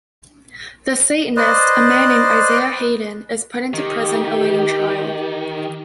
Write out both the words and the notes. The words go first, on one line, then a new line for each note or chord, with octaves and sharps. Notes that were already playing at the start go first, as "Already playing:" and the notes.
The Satanist, a man named Isaiah Haden, is put into prison awaiting trial.
B4 C5 D5 D#5
D#3 G4